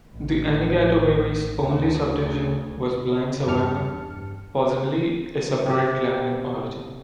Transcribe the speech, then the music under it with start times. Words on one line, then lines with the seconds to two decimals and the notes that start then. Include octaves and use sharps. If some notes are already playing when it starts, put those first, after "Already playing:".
The Anigatogewi's only subdivision was Blind Savannah, possibly a separate clan in origin.
0.11 A1
1.54 D2
3.46 E2 G2 G4 A5 F6 C#7
5.66 C3 G4